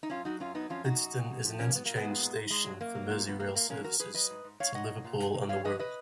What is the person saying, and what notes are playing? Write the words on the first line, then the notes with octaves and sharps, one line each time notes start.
Bidston is an interchange station for Merseyrail services to Liverpool and the Wirral.
D#4
F#2 C#4 F4
F#3 D#4 F#4
F#2 C#4 F4
F#3 B3 D#4
F2 C#4 F4
F2 D#4 F#4
F#2
F#2
F2
F3
F2 A#3 C#4
F#3 B3
A#2 A#3
G#3 B3
A#2
G#2
G#2
G#2 G#3
F#3
F#2 A#3
F#3
A#2
A#2 B3
A#2 A#3
A#2 A#3
F2 A#3 C#4
F2 F#4 A#4
F2 G#4 B4
F#3 B4 D#5
G#2
G#2
G#2 C#5 F5
G#2 D#5 F#5
A#2
A#2
A#2
A#2
F#2 C#5 F5
F3 B4 D#5
B4 D#5